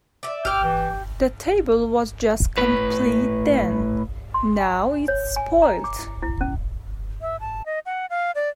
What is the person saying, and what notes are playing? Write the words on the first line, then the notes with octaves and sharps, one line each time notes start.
The table was just complete then: now it's spoilt.
D5 E5
G4 G5 D6 E6 F6
E3
A2 B4
C6
G#5
C#5
G#5
A#5
D6
E4
E4
C#4
E5
A5
D#5
F#5
F5
D5